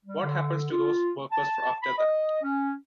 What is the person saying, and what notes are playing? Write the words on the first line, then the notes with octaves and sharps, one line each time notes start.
What happens to those workers after that?
G3
D3
F4
A5
B5
D#5
C#4